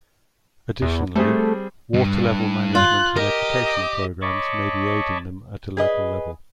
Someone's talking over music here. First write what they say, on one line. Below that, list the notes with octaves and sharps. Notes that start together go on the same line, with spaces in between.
Additionally, water-level management and educational programs may be aiding them at a local level.
E2
G3 A3 C4 G#4
G2
F4 F#6
G4 A#4 D#5
C#5 D#5 A5 B5 C#6 D6
G#4 B4 D#5